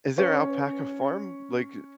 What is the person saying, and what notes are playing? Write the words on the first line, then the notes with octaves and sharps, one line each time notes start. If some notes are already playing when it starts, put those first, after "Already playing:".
Is there a alpaca farm, like, uh,
C#4 C#5